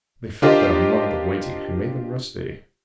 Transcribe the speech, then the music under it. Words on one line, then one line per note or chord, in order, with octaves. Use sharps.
They felt that a month of waiting had made them rusty.
D4 F4 G4 A#4 C5 D#5